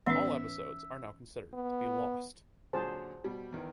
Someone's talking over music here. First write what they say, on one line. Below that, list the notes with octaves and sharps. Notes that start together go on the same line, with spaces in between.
All episodes are now considered to be lost.
A1 E3 B3 C#4 D#4 E5
B3
A#2 D3 F#3 G#4 C5 A5
B2 G3
E2 D#3 E3